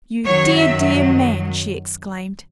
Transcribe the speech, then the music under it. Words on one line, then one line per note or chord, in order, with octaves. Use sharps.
"You dear, dear man!" she exclaimed.
F#2 D#3 F#3 C#5
E5